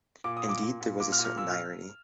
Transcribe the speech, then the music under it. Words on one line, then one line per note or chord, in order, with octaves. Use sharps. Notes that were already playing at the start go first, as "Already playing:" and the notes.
Indeed, there was a certain irony.
A#2 D6
D#6
A#2
D6
A#2
A#2
A#2 D6
F6
A#2
F6
A#2 E6
F6